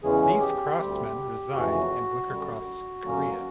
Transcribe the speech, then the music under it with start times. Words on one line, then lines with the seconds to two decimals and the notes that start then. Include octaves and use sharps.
These craftsmen reside and work across Korea.
0.03 E2 C#3 E3 G#3 C#4 G#4
0.40 G4
0.77 D2 D3 G3 C4
1.52 F2 C#3 E3 A3 F#4
2.28 F#2 D3 G3
3.02 F#2 D3 F#3 A#3 C#4